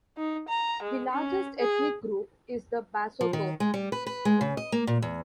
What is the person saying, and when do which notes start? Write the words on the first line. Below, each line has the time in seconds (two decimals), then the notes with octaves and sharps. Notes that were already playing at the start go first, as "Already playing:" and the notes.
The largest ethnic group is the Basotho.
0.18 D#4
0.48 A#5
0.83 G#3
1.11 C#4
1.59 G#4
3.21 F3
3.33 D#3
3.60 G#3
3.74 G3
3.92 B4
4.07 B4
4.25 G#3
4.41 C#3
4.57 D#5
4.72 A#3
4.87 A#2
5.02 E2